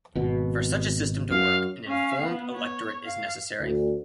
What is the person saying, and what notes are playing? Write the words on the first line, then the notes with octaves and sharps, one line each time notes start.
For such a system to work an informed electorate is necessary.
G#1 B2
F#2 F5
C#4 F5
B3
C#5
F5
D2